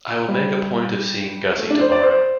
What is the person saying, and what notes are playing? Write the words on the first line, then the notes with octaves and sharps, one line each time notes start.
I will make a point of seeing Gussie tomorrow.
G3
A3
D4
C5
D5
C5